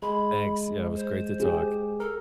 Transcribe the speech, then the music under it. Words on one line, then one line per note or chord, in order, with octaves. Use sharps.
thanks. Yeah, it was great to talk.
G#3 B5
C5
G4 G#4
A4 A#4